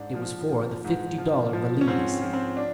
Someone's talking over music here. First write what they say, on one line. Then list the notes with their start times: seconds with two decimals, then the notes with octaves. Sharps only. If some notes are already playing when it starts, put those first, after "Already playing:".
It was for the fifty-dollar valise.
Already playing: G#2 D4
0.15 F3
0.49 F3
0.85 G#2
1.18 F3
1.53 F3
1.81 C#4
1.88 G#2 C4
2.22 F3
2.33 C4
2.57 D4